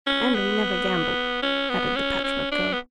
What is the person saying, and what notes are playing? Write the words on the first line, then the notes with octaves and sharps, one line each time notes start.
"And we never gamble," added the Patchwork Girl.
C#4
B3
C#4
B3
C#4
C#4
D4
B3